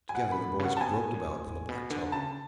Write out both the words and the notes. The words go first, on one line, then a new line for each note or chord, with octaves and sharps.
Together the boys groped about in the black tunnel.
G#5
B2 F#5
B5
A2
C#3 F#5
A5
B2 G#5
A2
A2
B2
D3
C#3 A5